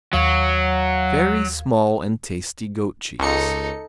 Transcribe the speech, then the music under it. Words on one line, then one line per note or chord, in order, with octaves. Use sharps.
Very small and tasty goat cheese.
D#2 F#3 F5 G#6
C#2 D#4 A4 C#7